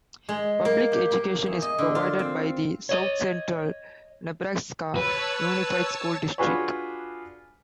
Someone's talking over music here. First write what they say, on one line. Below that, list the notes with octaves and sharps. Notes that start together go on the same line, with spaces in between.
Public education is provided by the South Central Nebraska Unified School District.
G#3
A#3
G4
A#3
E2
D#5
D3
F4
C4
C#5 D#5
B4 C#5 A5 E6
D4 F4 F#4 G#4 B4 C#5